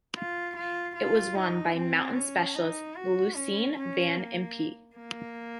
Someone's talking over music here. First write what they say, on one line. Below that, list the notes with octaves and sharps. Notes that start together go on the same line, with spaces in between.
It was won by mountain specialist Lucien Van Impe.
F4
F4
F4
D#4
C4
C#4
D#4
F#4
C#4
C#4
A#3
A#3